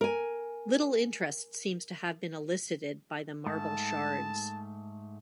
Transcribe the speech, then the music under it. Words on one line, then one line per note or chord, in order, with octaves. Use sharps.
Little interest seems to have been elicited by the marble shards.
A#4 G#5
G#2 A3 A5